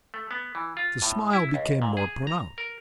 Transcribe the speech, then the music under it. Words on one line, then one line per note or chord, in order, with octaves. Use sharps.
The smile became more pronounced.
A3
B3
E3
F4
A2
E4
C#2
A#2
G#4
A#5
A#4